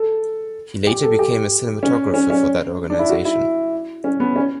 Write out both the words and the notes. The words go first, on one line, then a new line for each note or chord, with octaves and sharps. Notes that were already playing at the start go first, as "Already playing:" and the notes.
He later became a cinematographer for that organization.
Already playing: A4
G4
A4
G4
C#4
C#4
C#4
D4
E4
F#4
E4
C#4
B3
C#4